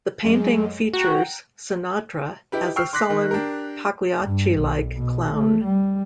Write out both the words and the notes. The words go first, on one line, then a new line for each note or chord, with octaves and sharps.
The painting features Sinatra as a sullen, Pagliacci-like clown.
F#2 G#3
F#4 F#5 G5 A#5
D#4 E4 G4 B4
G5 C#6 E6 F6 C7
C6 D6 F#6 A#6 B6
D#3
D4 G4 A#4
G2
B1
B2
A3
G3